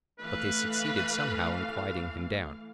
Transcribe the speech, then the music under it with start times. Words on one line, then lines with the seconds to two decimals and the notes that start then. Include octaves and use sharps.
But they succeeded somehow in quieting him down.
0.19 E3 A3 B4 F5